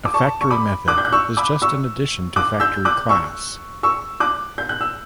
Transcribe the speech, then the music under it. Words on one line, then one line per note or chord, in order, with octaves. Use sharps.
A factory method is just an addition to Factory class.
D6
A5 C#6
C#6
B5 D6
D6 F#6
G6
F#6
C#6 E6
B5 D6
C#6 E6
D6 F#6
E6 G6
D6 F#6
C#6 E6
C#6 E6
D6 F#6
G6
F#6
E6